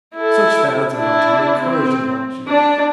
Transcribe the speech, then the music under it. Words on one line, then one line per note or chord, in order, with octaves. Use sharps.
Such fads are not to be encouraged in one's youth.
E4 A4
D4 E4
C4
D4